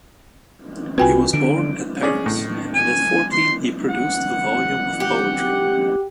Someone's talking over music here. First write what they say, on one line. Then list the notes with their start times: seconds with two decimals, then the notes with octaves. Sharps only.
He was born at Paris, and at fourteen he produced a volume of poetry.
0.98 C2 C4 F4 F#4 B4 G5 G#5
1.33 D3 D4 D7
2.03 C#4 G#4 D5
2.26 A2
2.74 G#5
3.32 C6
3.89 F#5
5.00 G4